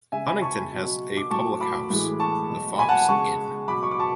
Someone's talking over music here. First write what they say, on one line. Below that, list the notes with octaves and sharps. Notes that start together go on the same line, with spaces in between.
Honington has a public house, the "Fox Inn".
C#3 G#3 E5 G#5
G#5 B5
A5 C#6
B2 F#3
D6
A2 F#3 A5 C#6
B5 D6
A2 E3 G#3
A5 C#6
B2 F#3
G#5 B5
F#5 A5
C#3 G#3 A5 C#6
B2 F#3 B5 D6
C#6
D6
A5 C#6